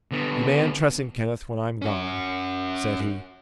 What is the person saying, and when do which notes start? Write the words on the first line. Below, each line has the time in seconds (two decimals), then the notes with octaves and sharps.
"You may untruss him, Kenneth, when I am gone," said he.
0.11 D3 B3
1.82 C#4 F#4